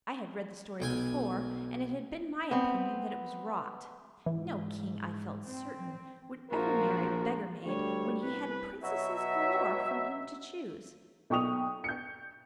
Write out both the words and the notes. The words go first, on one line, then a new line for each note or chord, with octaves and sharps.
I had read the story before, and it had been my opinion that it was "rot." No king, I felt certain, would ever marry a beggar maid when he had princesses galore from whom to choose.
B1 G5 G#5
B3 C4
G#2 E3
C4
A#1 F3 F#4 A#4
D2 G3 C#5
C2 B4
B2 F#3 E5
B1 G5 C#6 D#6 F7
G6 C#7